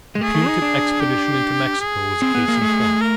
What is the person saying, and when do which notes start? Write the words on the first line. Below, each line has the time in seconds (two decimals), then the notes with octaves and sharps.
The punitive expedition into Mexico was a case in point.
0.15 G#3
0.21 A3 G#4
0.35 A3
0.47 D#4
0.62 D4
1.01 G4
1.81 G#4
2.22 C4
2.35 B3
2.48 A#3
2.61 A3
3.01 A#4